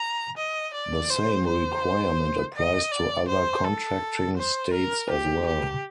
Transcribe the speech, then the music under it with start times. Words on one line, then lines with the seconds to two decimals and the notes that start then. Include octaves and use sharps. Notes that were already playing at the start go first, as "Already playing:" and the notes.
The same requirement applies to other contracting states as well.
Already playing: A#5
0.37 D#5
0.74 D5
1.10 C5
1.46 C5
2.56 D#5
2.92 D5
3.28 C5
3.64 A4
4.37 C5
4.74 A#4
5.10 G4
5.46 G4